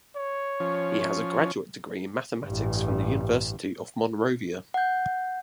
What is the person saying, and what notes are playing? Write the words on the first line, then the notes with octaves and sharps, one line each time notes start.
He has a graduate degree in Mathematics from the University of Monrovia.
C#5
F3 C#4
A1 G2
F#5 G6